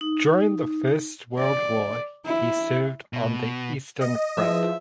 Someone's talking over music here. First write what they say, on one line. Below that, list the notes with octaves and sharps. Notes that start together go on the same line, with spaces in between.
During the First World War he served on the Eastern Front.
D#4
D5
E4
B2
D#5
F3 E4 G#4 B4 E5